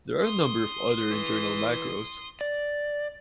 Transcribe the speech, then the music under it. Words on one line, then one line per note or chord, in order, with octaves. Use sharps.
There are a number of other internal macros.
C6 D#6
E3
D5